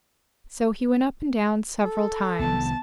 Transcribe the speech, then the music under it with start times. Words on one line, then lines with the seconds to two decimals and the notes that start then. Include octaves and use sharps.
So he went up and down several times.
1.84 A4
2.39 C2 D#3 F3 B3 A5